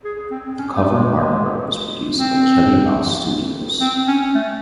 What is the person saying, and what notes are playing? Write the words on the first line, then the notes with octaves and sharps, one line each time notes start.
The cover artwork was produced by Kelley-Mouse Studios.
G#4
C4
C#4
A3
G#3
G#3
C4
C4
C#4
A3